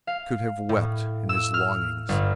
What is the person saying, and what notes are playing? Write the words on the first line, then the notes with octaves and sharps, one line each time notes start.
He could have wept in his longings.
F5
A2
E6
F6
G1